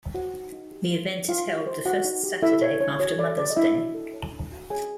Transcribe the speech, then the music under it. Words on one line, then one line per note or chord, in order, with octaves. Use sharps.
The event is held the first Saturday after Mother's Day.
F#4 C5 F#5
D#4
D#4
G4
C5
D#4
D#4 F4 F5
G4
C5
D#4 F#4 F#5
D#4
G4
E4 A4 E5
C#5
D4 C#5
F#4 C#5
A4 D5
C#5 D5
D#5
D4 E4 E5
F#4
A4
C#5
D4
F#4
G#4 C#5 G#5